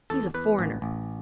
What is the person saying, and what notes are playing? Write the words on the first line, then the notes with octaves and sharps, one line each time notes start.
He's a foreigner.
E2 A4
E2 B4
A1
A1